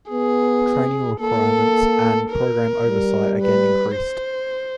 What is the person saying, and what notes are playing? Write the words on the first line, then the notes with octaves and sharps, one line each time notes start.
Training requirements and program oversight again increased.
B3 G#4
A#3 A4
A#4
G3
B4
C5